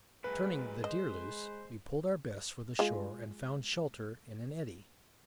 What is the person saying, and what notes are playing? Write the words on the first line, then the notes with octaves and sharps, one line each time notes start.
Turning the deer loose, we pulled our best for the shore, and found shelter in an eddy.
F#2 A#2 G#3 B4
C5 D#5
G#3 F4